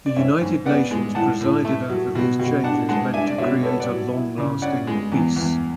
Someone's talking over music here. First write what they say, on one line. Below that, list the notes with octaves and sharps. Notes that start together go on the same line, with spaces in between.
The United Nations presided over these changes meant to create a long-lasting peace.
D5
G#2 C#5 E5
G#2
B3 D5 F#5
G#3
A2 F#5 A5
A2
A3
F#3
B2
B2
D4 F#5 A5
G#3 F#5 A5
D4 E5 G#5
D5
B2 C#5 E5
B3 A4 C#5
D5 F#5
F#3
E4
C#3
C#4 D5 F#5
G#3
E2
E2